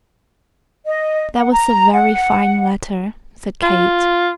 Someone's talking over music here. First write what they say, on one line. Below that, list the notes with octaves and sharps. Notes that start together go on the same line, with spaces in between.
"That was a very fine letter," said Kate.
D#5
F#5
A#5
F#5
F4